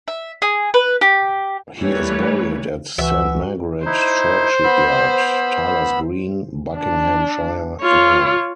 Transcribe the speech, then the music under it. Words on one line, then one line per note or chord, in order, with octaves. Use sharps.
He is buried at Saint Margaret Churchyard, Tylers Green, Buckinghamshire, England.
E5
G#4
B4
G4
E3 G3 A3 A#3 B4 C#5
C#2 E3 F#4 E5
D#4 E4 C5
B3 B5 E6
D4
F4 C#5